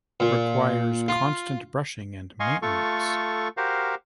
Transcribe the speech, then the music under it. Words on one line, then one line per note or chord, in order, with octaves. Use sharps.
Requires constant brushing and maintenance.
A#2
F4
D#5 F5 G#5 C6 C#6
A3 F4 A4 C#6
F#4 G4 A#4 C5 F5